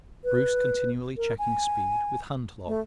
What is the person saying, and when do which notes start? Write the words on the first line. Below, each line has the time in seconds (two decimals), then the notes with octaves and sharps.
Bruce continually checking speed with hand log.
0.24 B4
1.17 A#4
1.39 G#5
2.67 A3